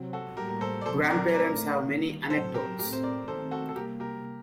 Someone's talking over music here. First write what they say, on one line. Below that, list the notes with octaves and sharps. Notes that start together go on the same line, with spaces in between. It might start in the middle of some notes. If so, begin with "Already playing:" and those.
Grandparents have many anecdotes.
Already playing: C3 F#3 C4
F#4 A4
A2 G3 A#3 G4 A#4
A#4
A4 C5
D5
A#2 F#3 C4 A4 C5
A#4 D5
A2 A3 C4 A#4 D5
D#3 G3 A#3
A2 F#3 C4 A4 C5
G4 A#4
A2 A3 C4 G4 A#4
C5
A#4 D5
D#3 A3 C4 A4 C5
F#4 A4
A4
C3 G3 A#3 G4 A#4
G4 A#4